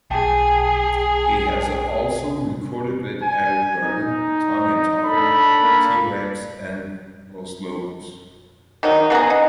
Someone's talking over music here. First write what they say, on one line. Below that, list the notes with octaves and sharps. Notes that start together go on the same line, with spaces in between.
He has also recorded with Eric Burdon, Tanya Tucker, T. Rex and Los Lobos.
B1 G#4 G5 A5
G#5
D#4
D4 A4 B5
A#3
D#3 F#3 D#4
C#3 B3 G#4 A#5
D#4